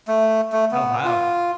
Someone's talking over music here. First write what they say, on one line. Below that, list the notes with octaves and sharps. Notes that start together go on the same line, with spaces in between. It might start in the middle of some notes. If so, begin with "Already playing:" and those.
Oh, wow.
A3
A3
B3
F4